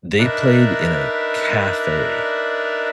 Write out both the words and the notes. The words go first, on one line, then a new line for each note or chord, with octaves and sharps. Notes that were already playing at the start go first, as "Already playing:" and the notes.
they played in a cafe
D4 D#4 A#4 B4 D5 E5